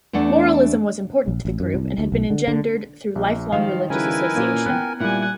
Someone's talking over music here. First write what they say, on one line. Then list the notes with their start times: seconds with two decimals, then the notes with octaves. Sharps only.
Moralism was important to the group, and had been engendered through lifelong religious association.
0.13 E2 A3 D4 F#5
1.28 A#1
1.45 A1
1.60 F#2
1.74 C2
1.98 D2
2.12 B1
2.30 D3
2.48 D3
3.16 A#1
3.52 D#3 F3 G3 F5
3.90 C#3 E4 A#4 B4 G#5
4.35 A#2 A#3 C#4
4.66 B3 G5 F#6
5.00 A#2 G3 A#3 E4 F#5 G#5